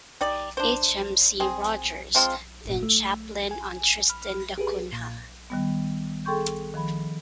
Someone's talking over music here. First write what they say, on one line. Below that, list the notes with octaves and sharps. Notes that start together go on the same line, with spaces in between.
H. M. C. Rogers, then chaplain on Tristan da Cunha.
D#4 G4 D5
D4 C5
C4 G#4
F3 G#3 C4 F4
G1 A#2
A3
G#5
B5 F6
G4 G#4 B4
A#2
D#3 G3 B3
G#4 A4 G5 C6 C#6 G6
D#3 F3 B5